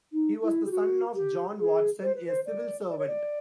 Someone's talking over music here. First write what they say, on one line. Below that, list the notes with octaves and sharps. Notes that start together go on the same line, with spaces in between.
He was the son of John Watson, a civil servant.
D#4
E4
G4
F#4
G4
G#4
C5
B4
C5
D5
D5
C#5
D5